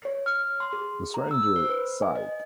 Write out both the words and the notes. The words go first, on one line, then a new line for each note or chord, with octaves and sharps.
The stranger sighed.
C#5
F6
C6
G#4
A#5
E6
C5
B4
G#5
D#5